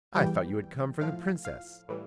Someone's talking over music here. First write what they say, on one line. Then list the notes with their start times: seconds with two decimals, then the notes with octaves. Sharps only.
'I thought you had come from the Princess.
0.15 E2 E3 G3 G5
1.01 A2 F3 F5
1.45 F5
1.88 A2 E3 G3